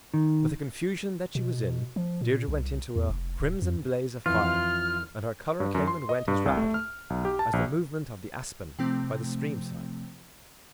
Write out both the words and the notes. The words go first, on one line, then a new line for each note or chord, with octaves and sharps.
With the confusion that she was in, Deirdre went into a crimson blaze of fire, and her colour came and went as rapidly as the movement of the aspen by the stream side.
D#3
B2
F3
A#2
C2
E2
F1
D1
F2
F2 E3 F4 F6
G2
F#2
C6
D#5
G2
C2
A3
F6
B1
G4
A5
A#1
C3 F3 A3 C4